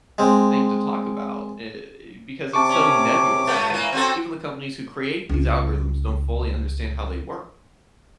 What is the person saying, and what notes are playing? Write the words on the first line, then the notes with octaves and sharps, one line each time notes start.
thing to talk about. Eh, because it's so nebulous. I mean, even the companies who create these algorithms don't fully understand how they work.
G#3 C4
C3 A5 C#6 D6
C#4
A#2 A3 B3
E3 A#3 D#7
C4 F#4 A4
C#2 F4